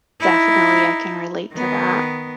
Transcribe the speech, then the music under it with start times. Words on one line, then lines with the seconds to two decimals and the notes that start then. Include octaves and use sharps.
Definitely I can relate to that.
0.21 D#4 E4
1.54 D#3 B3